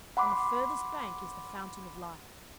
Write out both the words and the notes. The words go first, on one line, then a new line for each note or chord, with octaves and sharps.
On the furthest bank is the fountain of life.'
F#5 B5 C6 D6